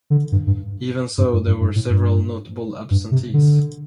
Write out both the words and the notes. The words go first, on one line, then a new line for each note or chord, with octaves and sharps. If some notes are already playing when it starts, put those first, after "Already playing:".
Even so, there were several notable absentees.
D3
G2
G2
G2
G2
G2
G2
A2
G2
G2
C3
D3